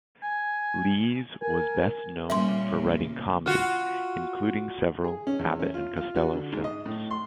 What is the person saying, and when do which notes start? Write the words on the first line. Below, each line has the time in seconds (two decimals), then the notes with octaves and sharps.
Lees was best known for writing comedy, including several Abbott and Costello films.
0.23 G#5
1.42 A#4 G#5
2.30 A#2 C#3 G3 A#3 C#4 E5 C6
3.46 F4 F#4
5.04 G#4
5.27 C#4
5.39 E2
5.60 C#4
5.74 F4
5.97 F4
6.16 F#4
6.33 D3
6.52 G#2
6.64 D#5
6.86 A2
7.11 C6